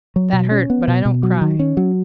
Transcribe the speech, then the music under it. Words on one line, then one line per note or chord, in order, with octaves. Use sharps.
"That hurt, but I don't cry."
F#3
B2
C#4
B3
B2
B2
F#3
D#3
C#4
F#3